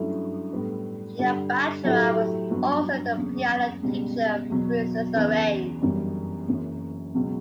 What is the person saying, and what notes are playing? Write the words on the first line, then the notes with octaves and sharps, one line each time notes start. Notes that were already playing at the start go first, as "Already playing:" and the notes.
Gina Bachauer was also the piano teacher of Princess Irene.
Already playing: G2 F#3 A3 C#4 E4
A2 G3 B3 D4
G2 D3 G3 D4
A2 F#3 A3 E4 G4
G2 F#3 B3 F#4
F#1 E2 C#3
C#2 B2 G3
E2 B2 F#3
E2 C#3 E3 B3
G1 F#2 E3 G3
F#1 F#2 E3
C#2 B2 F#3